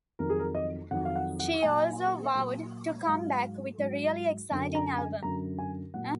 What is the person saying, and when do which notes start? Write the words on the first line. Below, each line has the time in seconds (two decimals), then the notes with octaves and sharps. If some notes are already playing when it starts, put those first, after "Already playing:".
She also vowed to come back with a "really exciting" album.
0.19 F2 D#3 F#3 A#4
0.30 G#4
0.39 A#4
0.55 D#5
0.91 F2 D#3 F#3 F#5
1.05 F5
1.16 F#5
1.40 F#5
1.62 A#2 F#3 G#5
2.35 A#2 F#3
3.06 G#2 F#3 F5
3.78 G#2 F#3
4.51 F#2 D3 F#3
4.75 A#5
4.98 G#5
5.23 F#2 D3 F#3 A#5
5.59 G#5
5.94 A#2 F#3 F#5